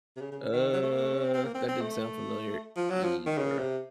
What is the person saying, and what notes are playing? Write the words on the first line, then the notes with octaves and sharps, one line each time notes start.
Uh, that doesn't sound familiar, either.
C3
C#3
C#3
D#3
F#3
A3
A#3
A3
C#4
C4
C4
A#3
C4
C4
A3
F3
F#3
F3
D#3
C#3
C3